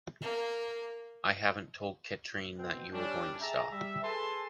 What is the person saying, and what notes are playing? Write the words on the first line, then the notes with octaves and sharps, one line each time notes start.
I haven’t told Katrine that you’re going to stop.
A#3
B2 C4
G3 C#4 D4
G#4 E5 G5 A5 A#5
G3 E5
G#4 A4 B4 G#5 A5 C6